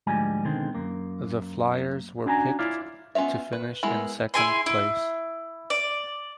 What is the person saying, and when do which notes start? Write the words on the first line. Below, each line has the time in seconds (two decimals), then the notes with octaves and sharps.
The Flyers were picked to finish in second place.
0.07 D2 G#2 F3 G3 G#3 G#5
0.45 B2 D3 D#3 G#3 C4
0.75 F#2 A#3
2.25 C#4 D4 F#4 A#4 G#5 A#5
2.59 E4 F4 C#5 D5 E5 F5
3.15 B3 C#4 F4 C#5 E5
3.53 B4
3.83 G#3 B3 E4 A#4 B5
4.34 E4 G#4 G#5 C6
4.66 E4
5.70 D5